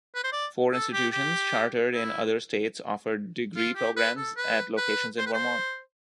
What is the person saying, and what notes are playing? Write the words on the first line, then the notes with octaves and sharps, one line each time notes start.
Four institutions chartered in other states offer degree programs at locations in Vermont.
B4
C5
D5
A4
G4
G4
E4
F4
G4
B4
A4
B4
B4
C5
B4
C5